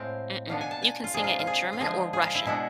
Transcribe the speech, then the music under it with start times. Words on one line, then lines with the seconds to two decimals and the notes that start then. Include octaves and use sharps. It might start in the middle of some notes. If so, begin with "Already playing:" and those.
Mm-mm, you can sing it in German or Russian,
Already playing: A2 G#3 C4 F5
0.49 B2 B3 D4 F5
0.61 G#5
0.71 A5
0.82 G#5
1.04 F4
1.14 C3 G#3 D4 G#4
1.24 F4
1.39 F4
1.47 G#4
1.73 F4
1.80 D3 F3 G#3 G#4
2.13 G#4
2.24 F4
2.35 E4
2.46 B2 G#3 B3 D4 E4